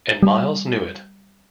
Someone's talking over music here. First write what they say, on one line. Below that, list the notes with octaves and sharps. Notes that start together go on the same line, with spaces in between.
And Miles knew it.
G3